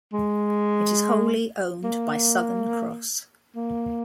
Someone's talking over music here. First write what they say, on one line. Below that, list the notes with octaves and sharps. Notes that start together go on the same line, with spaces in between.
It is wholly owned by Southern Cross.
G#3
A#3
A#3